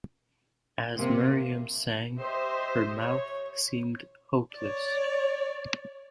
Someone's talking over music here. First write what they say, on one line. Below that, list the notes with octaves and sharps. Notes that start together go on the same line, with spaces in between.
As Miriam sang her mouth seemed hopeless.
C3 A#3
G4 C5 D#5 E5
C#5
C#5 D5